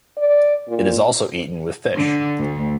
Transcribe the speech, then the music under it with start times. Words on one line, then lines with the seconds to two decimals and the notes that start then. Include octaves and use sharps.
It is also eaten with fish.
0.17 D5
0.68 A#2
1.95 D3
2.39 D2